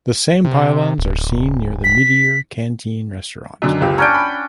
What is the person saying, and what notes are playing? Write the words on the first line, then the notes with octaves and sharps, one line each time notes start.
The same pylons are seen near the Meteor Canteen restaurant.
C3
D1
B6
F#2 D3 D#3
F#1 C#2 G4
C#4 D4 G5 A#5
B5